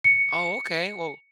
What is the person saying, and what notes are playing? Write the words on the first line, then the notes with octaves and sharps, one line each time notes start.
Oh, okay. Well
C#7